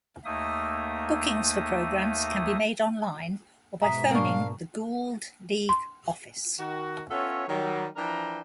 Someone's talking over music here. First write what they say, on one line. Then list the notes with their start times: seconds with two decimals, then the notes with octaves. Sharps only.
Bookings for programs can be made online or by phoning the Gould League office.
0.25 D#2 A3 A#3 D#4 E5 D#6
3.82 G#2 B2 E5 A#5 D#6
4.11 A#3 D4 F5 G#5 C#6
5.69 C6
6.59 D#3 F#4
7.10 B3 C#4 F4 A4 C#5 E5
7.48 D#3 F#3 G3
7.96 E3 F3 D4 A#4 G5 A#5